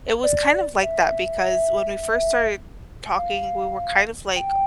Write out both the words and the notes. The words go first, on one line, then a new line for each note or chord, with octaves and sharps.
it was kind of like that because when we first started talking, we were kind of, like,
D5
E5
F5
G5